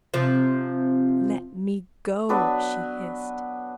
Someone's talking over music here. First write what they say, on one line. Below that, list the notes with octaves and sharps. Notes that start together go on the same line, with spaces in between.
"Let me go!" she hissed.
C3 F3
F#3 B3 D4 B4